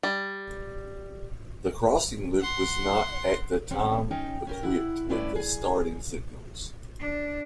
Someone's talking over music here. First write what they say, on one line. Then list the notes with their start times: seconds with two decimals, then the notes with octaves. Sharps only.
The crossing loop was not at that time equipped with starting signals.
0.03 G3
2.40 F#5 C6
3.71 G3 C4 C#4
4.11 C#4 D#4 G5
4.47 C#4 G4 A#4
4.63 E4 F#5
5.09 G2 A3 C#4 E4 B4 D5
5.35 G#4 G#5
6.99 D4